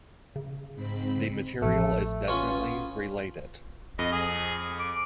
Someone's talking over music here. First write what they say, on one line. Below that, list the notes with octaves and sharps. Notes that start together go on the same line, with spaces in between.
The material is definitely related.
C#3
G#2 C4 B5
A1 F3 A3
B3 C#4 F4 C#5
F2 D#5
G#4
D6